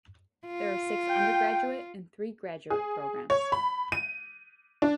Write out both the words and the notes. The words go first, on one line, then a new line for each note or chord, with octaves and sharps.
There are six undergraduate and three graduate programs.
F4
G5
G#4
C#5
B5
D#7
D4